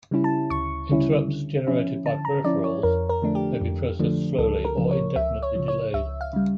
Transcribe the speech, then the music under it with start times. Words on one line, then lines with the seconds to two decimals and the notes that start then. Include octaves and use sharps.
Interrupts generated by peripherals may be processed slowly, or indefinitely delayed.
0.11 C#3 G3 C#4 E4
0.24 A5
0.50 D2 C#6
0.89 C#3 G3 C#4 E4
1.28 D3
1.67 F3 C#4 E4
2.06 D3 A5
2.25 A#5
2.44 F3 C#4 E4 D5
2.64 C#5
2.83 F2 A#4
3.09 A#4
3.22 D3 F3 A3 D4
3.35 G4
3.61 F2
4.00 D3 F3 A3 D4
4.38 C#2 A4
4.65 A#4
4.77 C#3 F3
4.91 C#5
5.16 C#2 E5
5.43 C#5
5.56 C#3 F3
5.68 C#5
5.94 C#2 E5
6.21 F5
6.33 C#3 G3